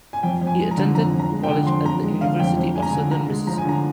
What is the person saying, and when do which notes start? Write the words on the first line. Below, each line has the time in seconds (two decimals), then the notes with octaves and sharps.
He attended college at The University of Southern Mississippi.
0.13 G#5
0.23 F2 G5
0.41 F2
0.47 G#5
0.60 G#3
0.71 A#5
0.77 D3
0.95 F2 A#5
1.14 F2
1.19 A#5
1.32 G#3
1.44 G5
1.49 D3
1.67 F2 C6
1.85 F2 A#5
2.04 G#3
2.21 D3 F5
2.39 F2 G5
2.57 F2
2.75 G#3 G#5
2.82 A#5
2.90 G#5
2.93 D3
3.11 D#2 A#5
3.29 G#3
3.47 F3 A#5
3.58 G#5
3.65 D3 A#5